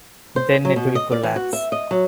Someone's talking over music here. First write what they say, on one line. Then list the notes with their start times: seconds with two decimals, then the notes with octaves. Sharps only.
Then it will collapse.
0.36 C5
0.65 F#3
0.76 B2
0.95 D#5
1.12 D5
1.23 E3
1.36 F#4
1.53 E5
1.72 D#5
1.91 F#3